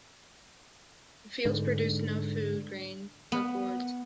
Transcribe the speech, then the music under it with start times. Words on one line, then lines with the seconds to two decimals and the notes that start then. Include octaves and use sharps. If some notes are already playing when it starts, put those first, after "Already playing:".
The fields produced no food grains, but gourds.
1.45 G#2 D3
3.32 B3